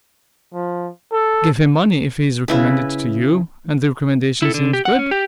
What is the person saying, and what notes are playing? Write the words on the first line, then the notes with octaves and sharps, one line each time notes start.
"Give him money, if he is recommended to you, and the recommendation seems good."
F3
A4
C#3 E4 B4
E4 A4
D3
G4
F#5
C#4
G4